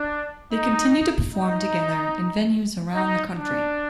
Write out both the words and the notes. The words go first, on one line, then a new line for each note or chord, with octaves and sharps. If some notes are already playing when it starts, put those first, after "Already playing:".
They continue to perform together in venues around the country.
Already playing: D4
D#4
D#4
D#4
D4